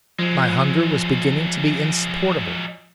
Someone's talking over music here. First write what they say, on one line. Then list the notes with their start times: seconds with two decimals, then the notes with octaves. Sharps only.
My hunger was beginning to be insupportable.
0.19 F3 F#3 G#3